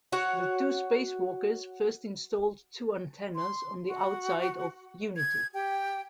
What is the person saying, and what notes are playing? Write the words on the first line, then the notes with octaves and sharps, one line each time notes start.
The two spacewalkers first installed two antennas on the outside of "Unity".
F#4 C#5 F#5
C6
F#4
G#6
G4 G5